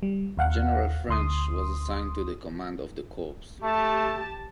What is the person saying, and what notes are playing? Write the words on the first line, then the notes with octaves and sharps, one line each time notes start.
General French was assigned to the command of the corps.
G3
D#2 F5 F#5
D2 C6 D#6
A3 G4 A5